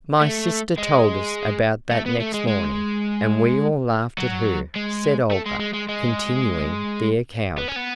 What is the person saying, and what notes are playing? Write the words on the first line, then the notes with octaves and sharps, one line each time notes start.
"My sister told us about that next morning, and we all laughed at her," said Olga, continuing the account.
A3
G#3
A3
B3
A3
G#3
G#3
F#3
G#3
A3
G#3
G#3
G#3
G#3
B3
C#4
B3